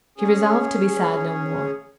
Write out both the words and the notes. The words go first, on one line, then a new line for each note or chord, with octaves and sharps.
She resolved to be sad no more.
C#4 G#4